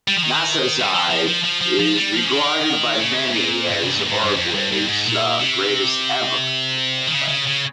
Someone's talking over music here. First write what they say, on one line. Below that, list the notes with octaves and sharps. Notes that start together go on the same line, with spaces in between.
Nasazzi is regarded by many as Uruguay's greatest ever football player.
G3
F3
D#3
G3
F3
F3
F3
F3
F3
F3
G3
F3
C#3
D#3
C#3
G#2
A#2
G2
C3
A#2
G#2
G2
F2
G2
G2
G#2
A#2
C3
D#3
C#3
C#3
C#3